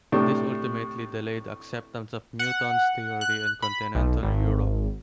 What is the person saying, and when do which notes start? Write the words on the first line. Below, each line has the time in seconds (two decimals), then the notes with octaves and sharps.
This ultimately delayed acceptance of Newton's theory in continental Europe.
0.12 A2 C3 D4
2.39 F#5
3.21 F#6
3.62 B5
3.95 B1
4.23 G#1